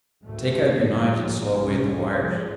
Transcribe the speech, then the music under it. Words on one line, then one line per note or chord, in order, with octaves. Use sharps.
Take out your knives and saw away at the wires.
F#1 D2 G#2 D#3 G#3 A3
G2 F3 G3
G#1 B2
G1 C2 A2 C3 G3 C#4
G#2 F3 G#3